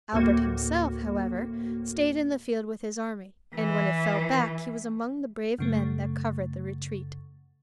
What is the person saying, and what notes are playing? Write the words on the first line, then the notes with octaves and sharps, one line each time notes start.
Albert himself, however, stayed in the field with his army and when it fell back he was among the brave men that covered the retreat.
D2 A2 A#3 F#4
E3
F#2 C#3 A3